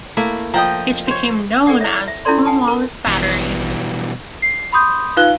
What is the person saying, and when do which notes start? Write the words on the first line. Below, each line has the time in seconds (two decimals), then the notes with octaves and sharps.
It became known as Cornwallis Battery.
0.17 A3 A#3 E4
0.54 F3 D#5 G5 A#5
1.07 C5 C#5
1.66 G#4 A4 D5 F#5 D#6
1.81 E4 C#5 E5
2.08 E5
2.25 C#4 E4 F4 A4 D5 C6
2.45 F#5 G#5 A5 D#6
2.68 A#4
3.07 A1 B2 E3 G3
4.42 C7
4.72 B5 C6 D#6 G6
5.17 D#4 F4 B4 F5 F#6 G7